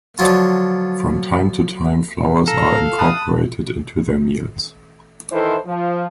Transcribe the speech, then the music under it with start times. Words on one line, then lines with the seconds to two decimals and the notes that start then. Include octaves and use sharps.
From time to time, flowers are incorporated into their meals.
0.19 D3 F3 F#3 F4
2.48 A4 F5 A#5
2.99 A5 B5 D#6 F#6
5.32 D#3 E3 E4 A4 C5
5.66 F3